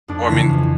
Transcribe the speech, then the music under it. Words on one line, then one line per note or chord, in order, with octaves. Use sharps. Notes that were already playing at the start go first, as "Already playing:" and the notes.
well I mean,
F2 D4
C#3 E3 E4
F2 F4